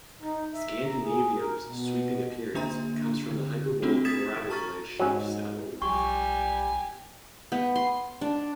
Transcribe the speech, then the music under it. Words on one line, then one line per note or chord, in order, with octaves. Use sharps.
Scandinavium's "sweeping appearance" comes from the hyperbolic paraboloid shaped saddle roof.
D#4
E5
A#5
G#4
A#4
B2
D3 A#3 D4 E5 A#5 C6
D3
A3 C4 D4 F4 F#4 A4
D#6 G#6 A6 B6 E7
A5 A#5 C#6 F6 A6
G#2 F#3 C#4
B1 G3 G4 G#5 C#6
B3
C6
D4